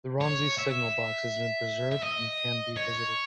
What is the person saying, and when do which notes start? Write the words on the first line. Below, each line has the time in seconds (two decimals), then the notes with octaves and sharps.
The Romsey Signal Box has been preserved and can be visited.
0.21 C#5
0.58 E5
1.91 E5
2.03 D#5
2.76 C#5